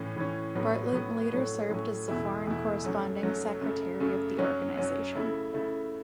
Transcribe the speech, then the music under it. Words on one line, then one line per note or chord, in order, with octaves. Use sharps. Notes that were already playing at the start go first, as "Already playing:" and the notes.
Bartlett later served as the Foreign Corresponding Secretary of the organization.
Already playing: A2 E3 C#4
A2 E3 C#4
A2 F#3 B3
A2 F#3 B3
A2 F#3 A3 C#4
A2 F#3 A3 C#4
E2 B2 A3 E4
E2 B2 A3 E4
F#2 F#3 A3
F#2 F#3 A3
F#2 C#3 A3
F#2 C#3 A3
F#2 F#3 C#4
F#2 F#3 C#4
C#3 A3 E4
C#3 A3 E4